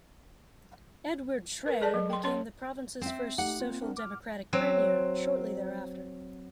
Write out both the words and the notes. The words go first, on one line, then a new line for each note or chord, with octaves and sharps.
Edward Schreyer became the province's first social democratic Premier shortly thereafter.
A#4 B4
G#4 A4 D5 A5
F#3
G5 C6
C#4 C#5 C6
C4 E5
A3 D#4 G4 F#5
A#3 C4 F4
C4 D4 A#4
D6 F6
F#3 C4